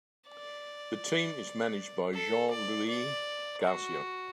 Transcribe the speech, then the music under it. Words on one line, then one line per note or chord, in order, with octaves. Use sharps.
The team is managed by Jean-Louis Garcia.
D5
A4
D5
D5
F#4